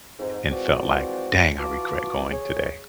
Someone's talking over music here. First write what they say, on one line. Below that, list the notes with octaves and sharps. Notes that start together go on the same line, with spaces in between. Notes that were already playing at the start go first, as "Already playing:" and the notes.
and felt like, "Dang, I regret going today."
F2 G#2
E3 F3 G#3 C4 F#4 D5
E3 F4 F#4 A5 D6
G#4 C#5